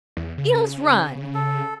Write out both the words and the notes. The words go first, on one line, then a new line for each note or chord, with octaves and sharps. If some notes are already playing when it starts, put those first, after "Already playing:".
"Eels run!"
E2
C#3
C#3 A4